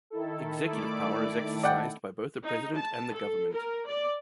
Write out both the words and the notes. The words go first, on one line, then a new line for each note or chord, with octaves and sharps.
Executive power is exercised by both the President and the Government.
D#3 E4 A4
A3 D5 D6
D5 F#5 G5
D#4
A5
A4
A#4
D5